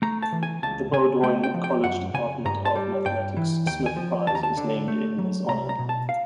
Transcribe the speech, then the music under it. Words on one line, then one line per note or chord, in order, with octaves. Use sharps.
The Bowdoin College Department of Mathematics Smyth Prize is named in his honor.
A3 A#5
A5
E3
G#5
C#2 A5
C#3 G#5
A3 G5
G5
F3
G5
F#2 F#5
C#3 G#5
G2 A#5
A5
G3
G2 G5
E3
D#2 G5
G#5
F3
D#2 A5
A#5
A5
D3
A3
F#3
C2 A#5
A#5
B2
A5
F5